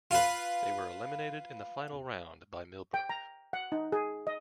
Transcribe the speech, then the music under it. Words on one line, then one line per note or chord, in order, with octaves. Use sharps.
They were eliminated in the first round by Millbrook.
F4 B4
G5
A#5
F#5
D#4
G#4
D#5